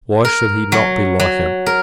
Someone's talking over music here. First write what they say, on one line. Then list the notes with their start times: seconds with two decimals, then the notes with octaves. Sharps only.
Why should he not be like him?
0.25 A#4
0.72 F#3
1.20 F#3
1.66 A#4